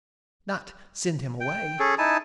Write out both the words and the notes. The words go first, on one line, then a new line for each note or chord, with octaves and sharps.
"Not--send him away?"
G5
C#4 G#4 A4
D#4 E4 G#5 A5